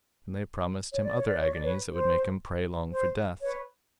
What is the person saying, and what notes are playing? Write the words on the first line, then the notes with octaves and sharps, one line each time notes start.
And they promised him other agonies that would make him pray long for death.
C#5
D5
C#5
D5
C#5
D5
B4 C#5
C5
C5
B4 C#5